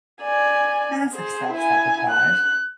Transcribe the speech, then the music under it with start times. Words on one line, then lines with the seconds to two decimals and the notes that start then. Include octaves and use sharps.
massive self-sabotage.
0.22 D5 G#5
1.13 G#4 C5
1.52 E4 G#5
2.10 F#6